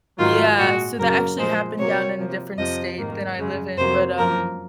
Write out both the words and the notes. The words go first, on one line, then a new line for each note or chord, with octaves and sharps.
Yeah, so, that actually happened down in a different state than I live in, but, um,
G#2 D#3 F#3 F4
A#2 G#3 F#4
F#2 C#3 F#3 A#3 A#4
A#2 F3 G#3 C5
C3 F#3 A#3 C#5
C3 F3 A#3
F2 C3 F3 D#5
G#2 D#3 A#3
F#2 C#3 G#3
F2 C3 F#3 A#3 C5
F#2 F3 A#3 A#4